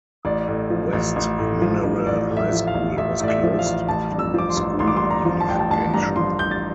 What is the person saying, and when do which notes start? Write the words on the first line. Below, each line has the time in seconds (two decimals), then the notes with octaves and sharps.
West Mineral High School was closed through school unification.
0.25 A1 D5
0.48 A2
0.70 F3
0.93 A1
1.16 A1
1.39 A2
1.61 F3
1.83 A1
2.06 A1 D5
2.30 A2
2.37 E5
2.52 F3
2.67 F5
2.75 A1
2.97 A1 E5
3.20 A2 D5
3.28 E5
3.43 F3
3.59 F5
3.67 A1
3.88 A1 A5
4.12 G2
4.19 E6
4.34 F3 D6
4.49 C6
4.57 A1
4.79 A1 C6
4.87 D6
4.97 C6
5.02 G2
5.10 A#5
5.25 F3
5.41 A5
5.48 A1 G5
5.59 A5
5.71 A1 A5
5.94 G2 A#5
6.16 F3 C6
6.39 A1 G6
6.51 A6